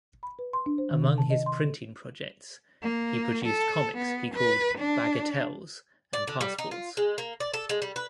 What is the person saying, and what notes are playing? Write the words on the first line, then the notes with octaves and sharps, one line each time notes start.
Among his printing projects, he produced comics he called "Bagatelles" and passports.
B5
B4
C6
D4
C5
D#3
C3
A5
D#5
C6
A4
A#3
A4
B3
B4
D4
D5
D3
G3
D#4
F4
G#3
A#3
D5
A4
G#3
G3
B4